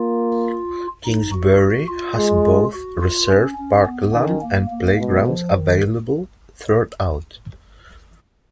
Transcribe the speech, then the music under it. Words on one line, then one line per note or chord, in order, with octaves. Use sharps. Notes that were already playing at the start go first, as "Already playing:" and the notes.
Kingsbury has both reserve parkland and playgrounds available throughout.
Already playing: A#3 F4
D#4
F#4
F#4
F4
G#3
F#4
F4
C#4
C#4
B3
D#3 C#4
A#3
A#3
B2 G#3
F3
D#3